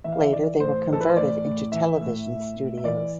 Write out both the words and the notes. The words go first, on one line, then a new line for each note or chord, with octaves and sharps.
Later they were converted into television studios.
E3 E5
F5
E5
E3 D5
A2 C5
E3 A4
B4
C5
A2 D5
A2
E3 E5
A2
A2
A2
E5
E3 D5